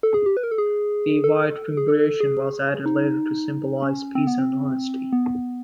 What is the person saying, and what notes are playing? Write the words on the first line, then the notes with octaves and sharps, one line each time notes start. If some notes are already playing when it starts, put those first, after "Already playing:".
The white fimbriation was added later to symbolise peace and honesty.
A4
G#4
G4
B4
A#4
A4
G#4
A4
G#4
A4
G#4
D#4
C#4
C4
B3
C4
B3